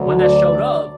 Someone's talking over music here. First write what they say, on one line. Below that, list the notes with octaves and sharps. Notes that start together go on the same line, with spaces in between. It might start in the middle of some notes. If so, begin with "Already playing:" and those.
when that showed up,
Already playing: D2 D3 F#3
D5